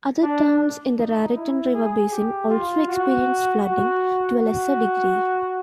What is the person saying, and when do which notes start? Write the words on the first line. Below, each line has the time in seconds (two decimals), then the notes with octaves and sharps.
Other towns in the Raritan River basin also experience flooding to a lesser degree.
0.23 D4
0.98 D#4
1.36 E4
1.74 G#4
2.12 G4
2.50 F4
2.88 F#4
3.63 F#4
4.39 F#4